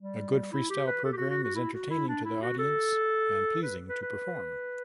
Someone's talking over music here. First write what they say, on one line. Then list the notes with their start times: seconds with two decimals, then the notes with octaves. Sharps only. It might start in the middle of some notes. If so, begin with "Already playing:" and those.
A good freestyle program is entertaining to the audience and pleasing to perform.
0.01 G3
0.52 E4
0.70 G4
0.87 B4
1.04 A4
1.12 G4
1.16 F#4
1.30 F#4
1.43 F#4
1.55 E4
1.73 F#4
1.90 E4
2.08 D4
2.25 E4
2.42 F#4
2.59 A4
3.62 B4
3.89 B4
4.02 B4